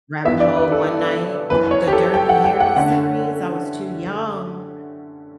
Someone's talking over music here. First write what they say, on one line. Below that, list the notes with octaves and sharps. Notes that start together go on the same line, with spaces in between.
rabbit hole one night, the Dirty Harry series, I was too young
G1 G2 E3 B3 E5
D5
B4
A4
F#1 F#2 E3 B4
C#5
G4
A4
G5
F#5
G5
F#5
D3 A3 C#4 F#5